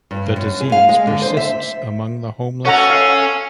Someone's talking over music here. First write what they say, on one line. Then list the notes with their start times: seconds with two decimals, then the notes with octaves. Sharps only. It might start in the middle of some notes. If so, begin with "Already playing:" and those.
The disease persists among the homeless.
0.11 G2
0.36 F#2
0.60 G#4
0.72 F5
0.89 G#3
1.07 D3
1.22 C5
1.37 E5
2.65 C#4 A4 C#5 F#5 A#5
2.90 F5